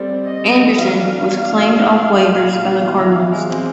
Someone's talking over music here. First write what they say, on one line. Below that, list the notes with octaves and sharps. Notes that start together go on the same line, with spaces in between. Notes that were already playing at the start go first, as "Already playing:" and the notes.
Anderson was claimed off waivers by the Cardinals.
Already playing: G3 A3 C4 D5
C4
C4 D#5
C4
E3
F#3 F5
D4
B2
B2
D4
D4
E4
E4
F#3
A#2
F#3
B3
E3 F5
E3
E3
G#3 F5
C4